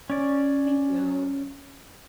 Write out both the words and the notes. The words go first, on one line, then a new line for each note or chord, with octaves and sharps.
Thank you.
C#4 D5